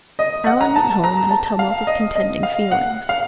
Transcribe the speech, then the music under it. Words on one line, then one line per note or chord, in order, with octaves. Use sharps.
Alan went home in a tumult of contending feelings.
D#5
F#5
A#5
A5
A#5
A5
F5
D#5
D#5
F5
F#5
F5